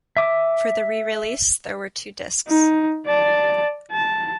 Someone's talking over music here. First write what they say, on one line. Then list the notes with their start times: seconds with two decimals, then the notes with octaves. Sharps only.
For the re-release, there were two discs.
0.17 E5 D6
2.48 D#4
3.06 D5 A5
3.92 A5